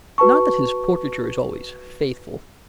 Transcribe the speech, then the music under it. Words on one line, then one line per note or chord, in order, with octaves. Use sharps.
Not that his portraiture is always faithful.
F#4 B4 A5 C#6